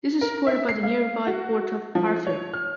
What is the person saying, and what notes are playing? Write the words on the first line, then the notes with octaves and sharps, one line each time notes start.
This was supported by the nearby port of Harfleur.
A#4
E5
C7
F5
F#4
F3
C#5
F6